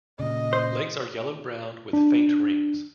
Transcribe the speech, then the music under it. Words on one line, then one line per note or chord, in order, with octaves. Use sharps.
Legs are yellow brown with faint rings.
A#2 C#3 D#5
C5
D4